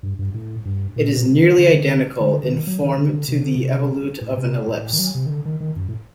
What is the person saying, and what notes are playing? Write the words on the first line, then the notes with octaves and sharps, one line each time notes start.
It is nearly identical in form to the evolute of an ellipse.
G2
G2
A2
G2
A#2
A#2
C3
D#3
D3
D3
D3
D#3
F#3
D#3
D3
D3
C3
D3
C3
A2
C3
A2
D#3
F#3
C3
D#3
D3
D#3
D#3
F#2
A2